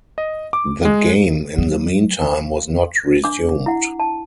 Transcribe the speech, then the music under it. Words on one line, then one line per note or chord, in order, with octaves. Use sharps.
The game, in the meantime, was not resumed.
D#5
D6
G#3
F#3
D4 D6
E4 F#5
A5